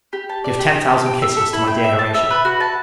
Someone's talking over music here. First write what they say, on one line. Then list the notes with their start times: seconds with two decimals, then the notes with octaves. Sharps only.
Give ten thousand kisses to my dear Horatia.
0.13 G4
0.29 A5
0.44 D5
0.59 G4
0.76 G4
0.91 A5
1.06 G5
1.22 E5
1.37 A4
1.53 E4
1.67 G5
1.84 E5
1.99 A5
2.14 E5
2.31 B4
2.45 F#4
2.60 A5